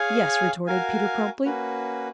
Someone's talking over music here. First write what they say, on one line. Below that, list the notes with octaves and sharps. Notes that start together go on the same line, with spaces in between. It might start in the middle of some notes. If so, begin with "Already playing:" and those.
"Yes," retorted Peter promptly.
Already playing: G#4 C#5 F5 G#5
F#4 A#4 F5 G#5
A#3 C#4 F#4 B4